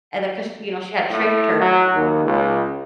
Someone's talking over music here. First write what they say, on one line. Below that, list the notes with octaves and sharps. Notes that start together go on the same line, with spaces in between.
and then 'cause, you know, she had tricked her.
A2
F#3
D#2
C#2